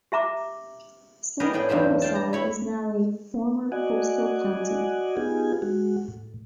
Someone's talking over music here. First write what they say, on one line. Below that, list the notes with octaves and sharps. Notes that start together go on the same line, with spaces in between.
South Humberside is now a "former postal county".
G4 E5 A#5 D6
B3 G4 G#4 A#4
A2 G#4 D5 G5
E2 G2 F#3 G4 C5
F5 G5 A5
A#5
E4 C#5 B5
F#4 D5 D#5 F#5 G#5
B3 D#4 F4 G4 G#4 G#5
G#3 F#4
A2